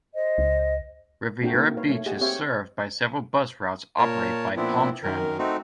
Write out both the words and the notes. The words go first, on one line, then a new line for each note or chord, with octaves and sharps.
Riviera Beach is served by several bus routes operated by PalmTran.
C5 D#5
C#2
A3 C4 D4 F#4 A4 G5
A#3 D#4 E4 A#4
B4 C#5 F5
A3 C#5
G4 G#4 D#5 F#5 G#5
C4 G4 C#5 E5 F5 G5
A#2 A#4 C#5 A5
A#2 F3 B3 C4 D4 E4
F#2 D#3 A#4
A3 C4 D#4 F#4